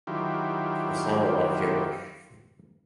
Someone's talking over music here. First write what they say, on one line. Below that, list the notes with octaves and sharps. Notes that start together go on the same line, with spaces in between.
It sounded like gibberish.
D#3 F#3 E4 F4 G4